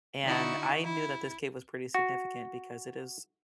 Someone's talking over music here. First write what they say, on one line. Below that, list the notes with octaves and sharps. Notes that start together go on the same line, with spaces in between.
and I knew that this cave was pretty significant because it is
D3 D#4 E4 F#4
E4
F#4